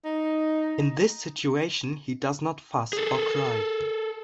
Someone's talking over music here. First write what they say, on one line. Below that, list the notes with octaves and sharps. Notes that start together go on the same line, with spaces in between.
In this situation he does not "fuss" or cry.
D#4
G#4 A4